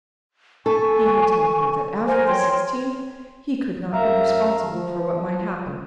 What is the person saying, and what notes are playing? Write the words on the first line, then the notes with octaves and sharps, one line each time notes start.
He had told her that after the sixteenth he could not be responsible for what might happen.
A4 G#5 C#6
A#4 C5 G#5
C#5 G5 C6
F#2 E5 F5 A#5
F3